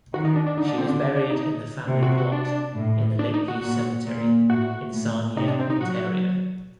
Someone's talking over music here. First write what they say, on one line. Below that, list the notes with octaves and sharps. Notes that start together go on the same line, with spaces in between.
She was buried in the family plot in the Lakeview Cemetery in Sarnia, Ontario.
D#3 F#4
D#4
D4
D4
D3 D#4
D4
C4
D4
D4
D4
D#4
C3
F#4
F#4
D4
A2
D4
D#4
F#4
A#2
A#2
A2 F#4
A2
C3 D#4
D4
C4
D#4
F#3 F#4